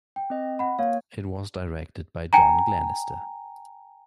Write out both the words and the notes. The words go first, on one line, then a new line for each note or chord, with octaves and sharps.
It was directed by John Glenister.
G5
C4 D#5
F#5 B5
A#3 C#5 F5
G5 G#5 A#5